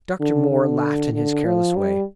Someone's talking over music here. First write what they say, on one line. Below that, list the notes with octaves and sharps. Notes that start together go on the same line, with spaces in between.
Dr. Moore laughed in his careless way.
D3
D3
D3
F3
G3